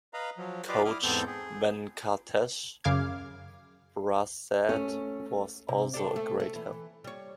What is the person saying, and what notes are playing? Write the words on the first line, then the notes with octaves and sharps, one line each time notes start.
Coach Venkatesh Prasad was also a great help.
B4 D#5 F5 A#5 B5
F3 F#3
F4 G4 B4 D5 D#5 F5
E4 D6 D#6 F6
E2 G#2 B3 C4 A4 G6
G#4
F#2 C#3 F5 D6 F6 G#6
A3 C#4
C3
D4 G4 A4
A3
A3
E3
G3 C#5